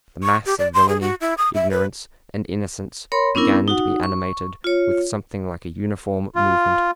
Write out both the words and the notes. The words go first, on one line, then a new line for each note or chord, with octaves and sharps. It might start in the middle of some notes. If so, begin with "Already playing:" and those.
The mass of villainy, ignorance, and innocence began to be animated with something like a uniform movement.
C#6
G4
D5
C6
G#4
F#4
E4
D#6
E5
B4
A#4 C#5 B5 C6
B3 C#4 D4 E4 A#4
D#4 F#4 F#5
C#6
F4 C#5
F4